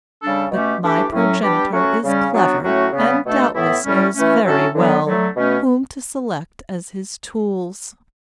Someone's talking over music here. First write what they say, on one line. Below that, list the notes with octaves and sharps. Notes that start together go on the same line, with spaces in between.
But my progenitor is clever, and doubtless knows very well, whom to select as his tools.
C#3 G3 D4 A4
B2 A3 C#4 G4
E3 A3 D4 G4
A2 F#3 C#4
G3 B3 D4 G4
F#3 A3 C#4 F#4
C#3 G3 C#4
F#3 B3 D4 F#4
A2 F#3 A3 C#4 F#4
C#3 G3 B3
B2 A3 D4 A4
A2 E3 B3 E4
A2 G3 C#4
E3 A3 C#4
A2 F#3 C#4 F#4 A4
D3 F#3 B3
D3 F#3 A3
B2 A3 C#4